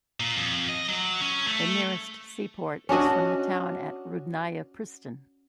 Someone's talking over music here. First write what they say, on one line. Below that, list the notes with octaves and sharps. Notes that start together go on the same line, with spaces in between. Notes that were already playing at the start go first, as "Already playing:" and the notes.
The nearest sea port is from the town at Rudnaya Pristan.
A#2
F2
D#5
F#3
C#4
A3
C#4 D4 F#4 D#5